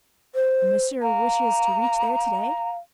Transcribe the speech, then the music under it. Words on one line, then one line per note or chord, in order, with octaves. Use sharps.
"And Monsieur wishes to reach there to-day?"
C5
F5 A#5